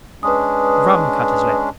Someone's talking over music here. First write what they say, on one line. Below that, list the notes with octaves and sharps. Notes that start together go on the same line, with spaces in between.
Rum cut his lip.
G#3 C#4 D4 B4 D#6